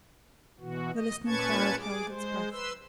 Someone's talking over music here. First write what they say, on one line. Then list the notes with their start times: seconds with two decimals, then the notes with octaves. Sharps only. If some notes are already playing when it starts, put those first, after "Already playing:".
The listening crowd held its breath.
0.60 B2 E3 F#4
0.94 D#5
1.26 A#2 C#4 B4 A5 C#6 G#6
1.78 G#4 D6
2.08 G#3 C5
2.52 B4 C6 E6